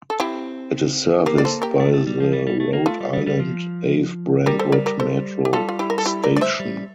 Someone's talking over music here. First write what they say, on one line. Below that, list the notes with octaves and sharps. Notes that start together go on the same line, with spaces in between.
It is serviced by the Rhode Island Ave-Brentwood Metro station.
A4
C4 E4 G4
A#3 G4 A#4
D5
A4 C5
G4 A#4
A3
A3
G3
F3
G3
G3
A3
A#3
A3 F4 A4
G3
G3
G3
F3
G3 G4 A#4
A4 C5
A#4 D5
G4 A#4
A4 C5
G4
G3 F4 A4
F4
E4 G4
A#4
A4
E4 G4
A#4 D5
D5
C5 E5
G3